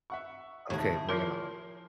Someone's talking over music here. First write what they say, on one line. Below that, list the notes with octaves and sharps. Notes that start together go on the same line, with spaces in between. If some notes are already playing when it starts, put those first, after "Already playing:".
Okay, bring it on.
E5 F#5 C#6
D#2 A2 C3 D#3 G#4
F3 F4 A#4 C6 F6 C7